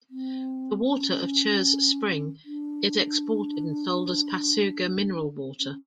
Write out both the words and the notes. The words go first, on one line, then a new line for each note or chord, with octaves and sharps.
The water of Chur's spring is exported and sold as Passugger mineral water.
C4
C#4
D4
C#4